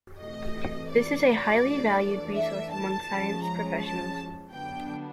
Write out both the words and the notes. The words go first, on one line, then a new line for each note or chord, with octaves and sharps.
This is a highly valued resource amongst science professionals.
C3 E3 A3 D#5
D5
E3 A3 D4
E5
A5
F3 G#3 C#4
A#5
A5
D3 F#3 B3 D4 G5